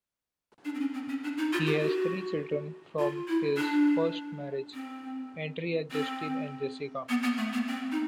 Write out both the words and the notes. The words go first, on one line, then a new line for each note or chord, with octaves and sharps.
He has three children from his first marriage, Andrea, Justin and Jessica.
D4
C4
C#4
C4
C#4
D4
D#4
F4
G4
F#4
F4
E4
D4
C4
C4
B3
B3
A3
B3
C4
D#4